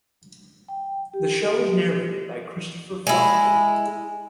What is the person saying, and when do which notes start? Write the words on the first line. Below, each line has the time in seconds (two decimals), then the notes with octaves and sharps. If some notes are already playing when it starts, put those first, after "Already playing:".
The show is narrated by Christopher Flockton.
0.68 G5
1.14 G4
3.07 G#3 E4